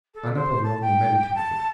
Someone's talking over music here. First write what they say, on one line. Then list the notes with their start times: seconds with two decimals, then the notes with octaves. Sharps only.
Anna Pavlovna meditated.
0.14 A4
0.35 C5
0.63 A5
0.81 G5
1.35 A5